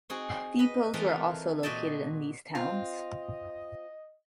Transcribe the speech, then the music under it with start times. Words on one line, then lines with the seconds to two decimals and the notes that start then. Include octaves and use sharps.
Depots were also located in these towns.
0.10 C4 D#4 F#4 G#4
0.59 B4 D#5
0.94 E3 A3 C4 D#4 F4 A#4
1.63 A#2 F#4 D#5 G5 A5
2.55 C4 F4 D#5